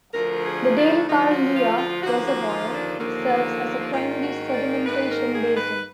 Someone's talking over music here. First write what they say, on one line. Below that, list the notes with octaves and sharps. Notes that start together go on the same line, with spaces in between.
The Dalecarlia Reservoir serves as a primary sedimentation basin.
D2 D3 F3 A#4
G#4
D4
D2 D3 F3 D#4
F#4
F4
F4
D#2 D3 F3 A#3 F#4
F#4
F4
D4
D#2 D3 F3 A#3
G#2 D#3 A#3 F4
F#4
D5
G#2 D#3 A#3 B4
A#4
G#4
B4